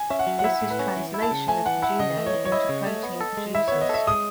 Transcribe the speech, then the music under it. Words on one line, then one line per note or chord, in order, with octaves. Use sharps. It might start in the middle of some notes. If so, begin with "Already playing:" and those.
This is translation of the genome into protein produces.
Already playing: G#5
C#4 E5
F#5
F#3
F#5
E4 E5
A2
B4
C#4
E3
E4
A5
C#3
A3 G#5
E3 F#5
E4 F#5
C#3 D#5
A3
C#5
E3
C#5
E4 D#5
C#3
A3
B3
A4
G#3
E4 E5
C#5
B3
D#5
A4 E5
G#3 D#6